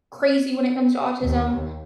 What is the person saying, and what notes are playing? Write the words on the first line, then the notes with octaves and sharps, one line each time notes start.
crazy when it comes to autism.
D#2